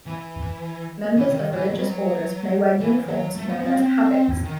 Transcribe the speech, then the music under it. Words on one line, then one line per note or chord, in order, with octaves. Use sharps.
Members of religious orders may wear uniforms known as habits.
E3
E3
C3
D#3
E3
F#3
G3
F#3
E3
F#3
A3
B3
C4
C4
D#3